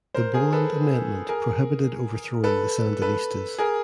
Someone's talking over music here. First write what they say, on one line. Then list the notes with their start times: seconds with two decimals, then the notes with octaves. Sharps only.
The Boland Amendment prohibited overthrowing the Sandinistas.
0.14 A#4 C5
0.34 G#4 A#4
0.53 A4 B4
1.29 G#4 A#4
2.44 A4 B4
3.02 A4 B4
3.59 G#4 A#4